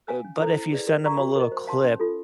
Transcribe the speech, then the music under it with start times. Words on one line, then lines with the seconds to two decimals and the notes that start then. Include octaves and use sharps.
uh, but, if you send them a little clip,
0.08 F5 G#5
0.24 C#4
0.40 E4 A4 C5
0.55 E4
0.72 G#4 B4 D5
0.87 A#4
1.04 D5 F5 A#5 C#6
1.20 F#4
1.36 A#4 D#5
1.52 C5
1.67 F5 A5 C6
1.84 C#4
2.00 F4 A4